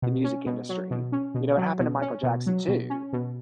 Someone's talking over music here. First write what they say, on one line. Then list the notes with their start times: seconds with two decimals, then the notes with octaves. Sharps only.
the music industry, you know, it happened to Michael Jackson too.
0.02 B2
0.24 C#4
0.46 B2
0.69 F#3
0.91 B2
1.12 C#4
1.34 B2
1.57 F#3
1.80 B2
2.01 C#4
2.23 B2
2.46 F#3
2.68 B2
2.90 C#4
3.13 B2